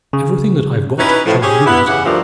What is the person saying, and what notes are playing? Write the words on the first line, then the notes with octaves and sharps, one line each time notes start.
Everything that I've got shall be yours.
C#3
C#4 D#4 E4 F#4 B4
A2 F3
C#4 G4 G#4
B3 E4
C#3 E3 G4 F#5
D2 G2 F3 A3 A#4 D5